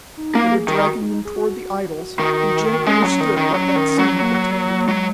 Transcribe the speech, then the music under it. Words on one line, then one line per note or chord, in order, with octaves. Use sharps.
They were dragging them toward the idols, and Jim understood what that scene portended.
D#4
A#3
G#4
D#3
F#4
D#4
G#4
F#4
D#3
G#3 C#4
F#3
D#3
D#3
F#3
D#3
F#3
A#3
F#3 G#3